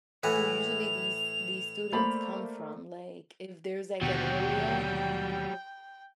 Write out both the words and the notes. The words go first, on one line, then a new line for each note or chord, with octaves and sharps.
do usually these these students come from?" Like, if there's, like, an area,
A2 E3 F#4 G#5 F7
A3 A#3 C5 D5 B5
D#2 B2 D3 F#3 G3 G5